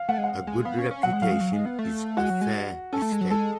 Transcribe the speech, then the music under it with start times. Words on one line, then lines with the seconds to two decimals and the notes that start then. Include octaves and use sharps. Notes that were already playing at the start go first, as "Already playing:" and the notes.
A good reputation is a fair estate.
Already playing: F5
0.08 A3 F#5
0.18 G#3
0.24 F#5
0.47 G#3
0.65 B3 F5
0.79 C#4
0.91 C#4
1.03 F#3 F#5
1.13 G#3
1.22 F#3 F5
1.31 G#3
1.41 F#3
1.53 G#3
1.66 B3
1.79 A3
2.17 G#3 F#4
2.30 F#3
2.41 G#3
2.92 C#4 A4
3.02 A3
3.12 G#3
3.21 F#3
3.30 G#3 A4